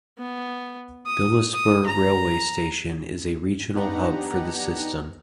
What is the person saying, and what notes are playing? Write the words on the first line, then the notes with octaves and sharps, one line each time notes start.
Bilaspur Railway Station is a regional hub for the system.
B3
D#6
D#6
A#5
B3 D4 D#4 G4 F#5 A#5